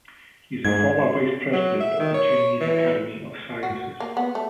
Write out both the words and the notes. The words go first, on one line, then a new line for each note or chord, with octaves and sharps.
He is a former Vice-President of the Chinese Academy of Sciences.
G#2 G#6
F#3
E5
D#3
C#5
E3
F#4
A#3
B3
A3